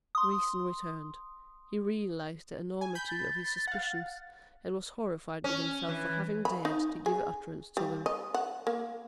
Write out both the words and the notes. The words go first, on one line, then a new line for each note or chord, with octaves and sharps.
Reason returned; he realized the enormity of his suspicions, and was horrified with himself for having dared to give utterance to them.
C6 D#6
G#5
B5 G6
A6
F5 F#5
C#4
E3
B5
D#4
G#4
G3
D#5
F#5
A#3